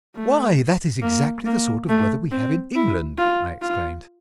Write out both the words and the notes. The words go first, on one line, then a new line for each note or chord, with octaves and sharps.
"Why, that is exactly the sort of weather we have in England!" I exclaimed.
A3
A#3
A#3
A3
C4
E4
F4
F4